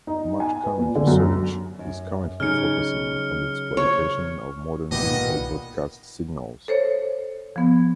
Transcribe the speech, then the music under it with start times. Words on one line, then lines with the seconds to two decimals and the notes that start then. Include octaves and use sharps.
Much current research is currently focusing on the exploitation of modern digital broadcast signals.
0.07 D#4
0.40 G#5
0.64 B4
0.78 A#2
0.95 D3
1.07 F#2
1.79 F#2
2.40 C#3 F#3 D#4 F6 C#7
3.77 C#5
4.92 B1 A#2 D#3 B3 G4 D#5
6.68 A4 C5 C#5
7.56 F3 B3